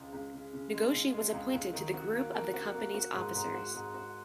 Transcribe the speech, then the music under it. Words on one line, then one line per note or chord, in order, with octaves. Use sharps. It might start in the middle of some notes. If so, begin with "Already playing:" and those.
Nagoshi was appointed to the group of the company's officers.
Already playing: C#2 C#3 G#3
C#2
C#3
C#3
G#3
C#3
G#3
C#2
C#2
D#3
F#4
A#3
A#3
F#4
A#3
F#4
G#2
G#2
F#4
G#2
F#4